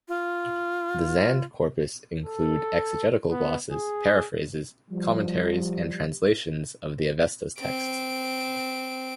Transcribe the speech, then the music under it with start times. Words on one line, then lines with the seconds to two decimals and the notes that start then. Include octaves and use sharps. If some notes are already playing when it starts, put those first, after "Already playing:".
The "zand" corpus include exegetical glosses, paraphrases, commentaries and translations of the Avesta's texts.
0.08 F4
2.26 A4
3.31 B3
3.72 G#4
4.91 F3 G3
7.61 C4 D7